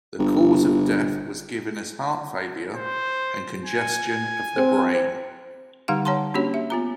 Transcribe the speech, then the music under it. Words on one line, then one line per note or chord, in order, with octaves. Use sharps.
The cause of death was given as heart failure and "congestion of the brain".
G1
C5
G#5
C4
D3 G3 D#4 G4 F5 F#5
C#5 F#5 A5 A#5 C6
A#3 C#4 D4 F#4 G4 C#5
E5
B3 F4 A#5